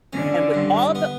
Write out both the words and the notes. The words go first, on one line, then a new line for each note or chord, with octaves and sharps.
And with all the
D3 C#4
G2
B3